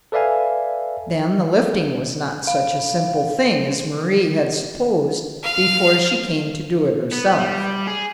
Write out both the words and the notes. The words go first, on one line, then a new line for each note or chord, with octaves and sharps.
Then the lifting was not such a simple thing as Mari had supposed before she came to do it herself.
A4 B4 D5 E5 F5 G#5
F5
F5
B3
G3
G#4